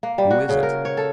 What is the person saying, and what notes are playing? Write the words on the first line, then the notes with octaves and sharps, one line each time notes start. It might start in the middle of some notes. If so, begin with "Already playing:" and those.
"Who is it?"
A#3
G3
F#4
C#3
A#4
C#5
A4